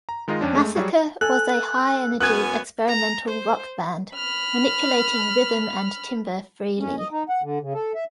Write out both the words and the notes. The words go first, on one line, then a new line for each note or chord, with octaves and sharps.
Massacre was a high-energy experimental rock band, manipulating rhythm and timbre freely.
A#5
D#3 G#3 D#4 F4 D#5
F2 C#4 D4
G#3 A3
F#3 G3 F#4 G#4
A4 G#5 F#6
F#2 B3 G#5 F#6 G#6
A#5
C5
B5 F6
C#4
D#5
D#4
F#5
D3
C#3
A4
E5